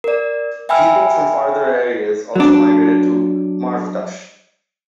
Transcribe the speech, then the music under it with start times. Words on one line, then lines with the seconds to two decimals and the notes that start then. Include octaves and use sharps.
People from farther areas also migrated to Marvdasht.
0.04 A#4 D5
0.69 E5 G5 G#5 B5 E6 F6
2.35 F#3 D4